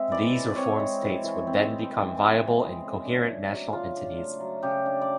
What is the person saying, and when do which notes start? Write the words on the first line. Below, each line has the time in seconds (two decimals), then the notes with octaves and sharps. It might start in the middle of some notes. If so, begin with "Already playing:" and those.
These reformed states would then become viable and coherent national entities.
Already playing: G#3 C4 E5
0.11 E3 D5
0.34 E3
0.56 C4 C#5
0.80 G#3
1.02 E3
1.24 E3
1.47 C4
1.70 G#3
1.92 E3
2.15 E3
2.37 C4
2.60 G#3
2.83 C#3
3.05 D4
3.27 A3
3.50 F#3
3.72 C#3 F4
3.95 D4
4.18 A3
4.40 F#3
4.63 C#3 G4
4.86 D4
5.02 D5